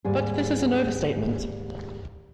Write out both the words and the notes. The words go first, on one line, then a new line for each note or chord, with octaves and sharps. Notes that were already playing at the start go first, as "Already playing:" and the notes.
But this is an overstatement.
D#2 G#2 G3 G#4